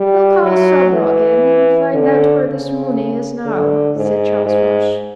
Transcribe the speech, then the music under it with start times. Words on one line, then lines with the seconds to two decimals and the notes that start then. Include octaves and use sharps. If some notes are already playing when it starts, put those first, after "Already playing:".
"We'll call Subrug in and find out where this Mooney is now," said Charles Rush.
Already playing: G3
0.43 F#3
0.93 E3
1.94 D3
2.44 C#3
3.45 D3
3.96 G#2
4.46 G#2